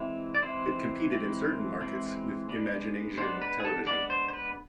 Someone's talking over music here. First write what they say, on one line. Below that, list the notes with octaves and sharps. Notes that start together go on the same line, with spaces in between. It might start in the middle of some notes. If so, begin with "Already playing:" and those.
It competed in certain markets with ImaginAsian Television.
Already playing: E3 G#3 C4 E4
D5
E3 G#3 C4 E4 C5
E3 G#3 C4 E4
E3 G#3 C4 E4
G#3 B3 D4
G#3 B3 D4 C5
B4
G#4
A4
G#3 B3 D4 D5
C5
C5
B4